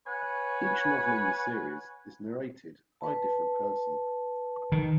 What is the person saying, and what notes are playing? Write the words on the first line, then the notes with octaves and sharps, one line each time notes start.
Each novel in the series is narrated by a different person.
B4 C#5 F#5 G#5
B4 A5
D#3